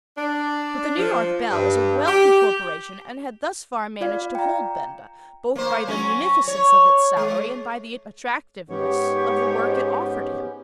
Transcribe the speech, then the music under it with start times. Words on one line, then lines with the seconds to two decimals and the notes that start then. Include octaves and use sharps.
But the New York Bell is a wealthy corporation and had thus far managed to hold Benda, both by the munificence of its salary and by the attractiveness of the work it offered him.
0.16 D4
0.97 F3
1.50 G2
2.06 G4
4.01 F4 D5 F5
4.35 G5 A#5
5.56 A#3 C5
5.87 F#3 C#4
6.48 C#5
7.17 G#3
8.70 G#2 B3 C#4 G4 C#5